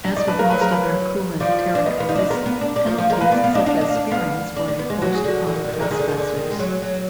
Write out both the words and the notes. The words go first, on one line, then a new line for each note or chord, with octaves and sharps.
As with most other Kulin territories, penalties such as spearings were enforced upon trespassers.
D4
D#4 D5
D4 B4
A#3 A#4
F#3 B4
A#4
B4
F3 D5
D4
B3 D#5
F5
B3
D#4 F5
D4 D#5
B3 A#4
B3
D4
D4
F3
F3
G#3 A#4
A#3 B4
B3 D5
B3 F5
D4 D#5
D4 F5
D#5
D4
F5
D4
B3 F5
D4
D4
B3
G#3
F#3 F#4
G#4
D3 F#4
D3
D#3
D3
D#3
D3 A#4
D#3 G#4
D3
D#3
D3
D#3
G#3
F#3
F#3